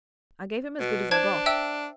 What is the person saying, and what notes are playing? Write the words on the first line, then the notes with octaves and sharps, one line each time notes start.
I gave him as good as I got.
B2
D4 C5 A5 G#6
E5 G5 E6